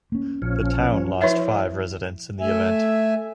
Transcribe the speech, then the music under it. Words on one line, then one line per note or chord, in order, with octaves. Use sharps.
The town lost five residents in the event.
A#3 C#4
A#1 F3 C#4
F3 E4 B4 C#5 E5
A3 E5 G#5